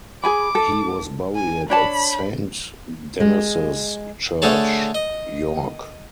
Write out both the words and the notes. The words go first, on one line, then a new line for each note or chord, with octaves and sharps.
He was buried at Saint Denys's Church, York.
G#4 G#5 B5 D6
A4
G#5
D4 C#5 A5 B5
G#3
D3 A3 G#4 C#5 A5
D#5